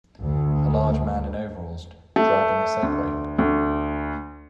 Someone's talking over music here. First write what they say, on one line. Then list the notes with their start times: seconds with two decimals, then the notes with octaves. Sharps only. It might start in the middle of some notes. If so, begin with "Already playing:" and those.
A large man in overalls, driving a Segway.
0.20 D2
2.16 A3
2.83 D2
3.38 D2